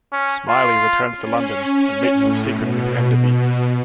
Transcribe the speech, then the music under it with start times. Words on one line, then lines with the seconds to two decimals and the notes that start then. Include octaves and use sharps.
Smiley returns to London and meets in secret with Enderby.
0.13 C#4
0.49 F4
1.16 C#4
2.12 A2
2.49 B2